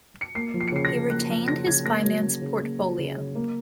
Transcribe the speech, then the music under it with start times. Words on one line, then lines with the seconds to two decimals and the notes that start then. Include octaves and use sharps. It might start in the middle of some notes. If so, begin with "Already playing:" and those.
He retained his finance portfolio.
0.21 C#7
0.35 A#3 C7
0.54 F3
0.61 C7
0.68 C#7
0.72 C#3 C7
0.85 A#6
0.92 C#3
1.10 A#3 F#6
1.29 F3
1.48 C#3 A#6
1.67 C#3 G#6
1.85 A#3 A#6
2.04 F#3
2.23 C#3
2.42 C#3
2.61 A#3
2.79 F#3
2.98 C#3
3.17 C#3
3.35 A#3